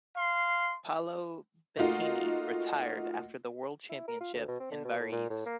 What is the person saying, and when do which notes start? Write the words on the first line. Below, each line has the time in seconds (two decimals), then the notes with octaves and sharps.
Paolo Bettini retired after the world championship in Varese.
0.15 F5 C6
1.77 A3 A#3 D#4 F4 F#4
3.89 E4
4.08 A#4
4.21 F4
4.34 D2
4.48 B2
4.60 C4
4.72 D3
4.85 B2
5.00 A2
5.12 A#2
5.30 A2
5.46 A#3